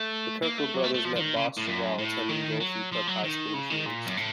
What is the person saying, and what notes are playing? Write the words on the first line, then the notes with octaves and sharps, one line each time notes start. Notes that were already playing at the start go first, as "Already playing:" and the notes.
The Kirkwood brothers met Bostrom while attending Brophy Prep High School in Phoenix.
Already playing: A3
A#3
A3
F#3
A3
A3
F3
F3
D#3
C#3
A2
F#2
A2
D#3
F#3
F3
F#3
D#3
C#3
D#3
A#2
F#2
A2